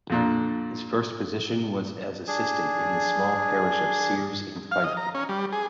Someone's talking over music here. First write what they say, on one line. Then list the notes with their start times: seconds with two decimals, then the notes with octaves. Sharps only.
His first position was as assistant in the small parish of Ceres in Fife.
0.10 F2 A#2 D4
2.27 D4 G#4
4.71 F5
4.84 D#5
4.97 A#5
5.15 C#4
5.29 G3
5.52 G#4